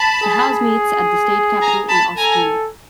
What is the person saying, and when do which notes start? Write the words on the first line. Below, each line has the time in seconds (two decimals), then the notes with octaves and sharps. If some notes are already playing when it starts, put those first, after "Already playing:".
The House meets at the State Capitol in Austin.
Already playing: A5 B5
0.21 G#4
0.49 G#4
1.61 G#5 A#5
1.89 A5 B5
2.17 A4 G#5 A#5